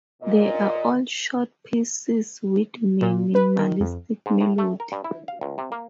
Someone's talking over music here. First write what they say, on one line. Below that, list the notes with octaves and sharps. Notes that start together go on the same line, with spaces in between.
They are all short pieces with minimalistic melody.
A#2 D#5
A#2
B4
D#3
F2
G#2
A2
A3
A#4
G2
E4
F5
C#2
C3
A#3